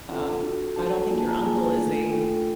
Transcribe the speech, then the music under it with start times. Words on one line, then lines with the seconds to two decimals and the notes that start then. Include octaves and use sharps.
Um, I don't think your uncle is a
0.09 C4 F4 A4
0.43 D4 F#4 A4
0.76 D4 F#4 A4 A5
1.10 A#3 D4 F4 G#4 G#5
1.18 A5
1.28 A#5
1.35 A5
1.44 A#3 D4 F4 G#4 G#5
1.77 A3 D4 F4 A4 G#5
2.11 A3 D4 F4 A4 G5